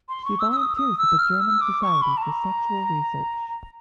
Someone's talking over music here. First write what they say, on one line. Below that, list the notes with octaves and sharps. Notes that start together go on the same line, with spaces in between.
She volunteers at the German Society for Sexual Research.
C6
C#6
E6
E6
D#6
D#6
E6
F6
E6
D6
C#6
B5
A5
A#5